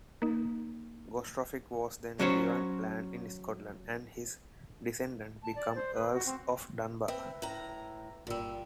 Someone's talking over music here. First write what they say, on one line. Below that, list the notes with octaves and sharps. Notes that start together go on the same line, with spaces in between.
Gospatric was then given lands in Scotland, and his descendants became earls of Dunbar.
A#3 D#4
F#3 C#4 F#4 C5 C#5
A5
D5
C5
B4
F#4
C4
C4 B4 E5
A2 A#5
G1 A#2 G3 E6